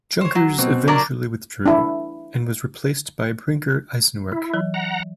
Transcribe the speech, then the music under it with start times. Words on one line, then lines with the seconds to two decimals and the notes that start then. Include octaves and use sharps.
Junkers eventually withdrew and was replaced by Brinker Eisenwerk.
0.21 C5 C#5
0.35 F#3
0.58 B2 C4
0.88 F#3 D4 A#4 A#5 D6 A6
1.66 D4 E4
4.32 E4
4.54 E3 F#3
4.74 F#5 A#5